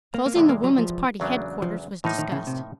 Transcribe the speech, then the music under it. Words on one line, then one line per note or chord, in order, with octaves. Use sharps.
Closing the Woman's Party headquarters was discussed.
A#3
A#3
E2 C3 E3 G#3 A3
A#3
F#3
F3
E2 C#3 F#3 A3 D4
F3
A2 E3 F3 A#3 D#4
D#3
C#3
C3